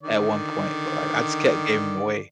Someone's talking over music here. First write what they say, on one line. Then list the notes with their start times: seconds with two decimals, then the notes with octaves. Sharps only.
at one point, but, like, I just kept gave them away,
0.03 D3 D#3 D5